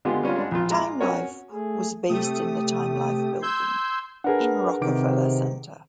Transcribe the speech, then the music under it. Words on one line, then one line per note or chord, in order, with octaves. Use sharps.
Time Life was based in the Time Life building in Rockefeller Center.
D3 G#3 B3 F4 G4 G#4
G3 C#4 D4 F4
G#3 D4 F#4
A#1 F4
G#3 F4 A#5 D6
C#4 F#4 A#4 C#5
A3 G#4
C3 A3 G4 D#6
C6 E6 G6 G#6
D4 G#4 A#4 B4 F#5
C3 D#3 D6 D7